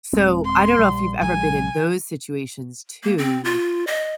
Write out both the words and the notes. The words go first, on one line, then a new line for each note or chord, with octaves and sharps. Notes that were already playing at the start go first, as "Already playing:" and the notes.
so, I don't know if you've ever been in those situations too,
D#1 G#3 C4
C6
A#1 G3
A#1 F#3 G#3 G#5
A#3
C4
F4
D#5